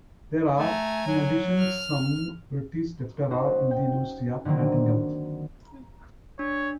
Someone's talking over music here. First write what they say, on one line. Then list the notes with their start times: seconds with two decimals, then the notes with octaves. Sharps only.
There are, in addition some British Diptera in the University of Nottingham.
0.59 A3 G#5 A#5
1.07 F#3
1.58 F6
3.31 C#4 D#4 F#4 C5
3.71 G5
4.45 D3 D#3 F#3 A#3 C4
6.39 D4 C#5